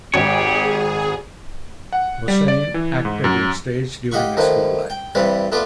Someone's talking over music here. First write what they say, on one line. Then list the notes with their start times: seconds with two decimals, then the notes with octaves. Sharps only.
Hossain acted in stage during his school life.
0.14 G#1 G4 G#4 C#5
1.93 F#5
2.28 G3
2.48 D5
2.74 E3
3.05 G#2
3.24 F#2
4.12 G4 D#5 F5 F#5 B5 C#6
4.37 D#3 F3 A3 B4
4.90 G5
5.15 G2 E3 G3 C4 B4 B5
5.52 A3 B3 F4 B4 D5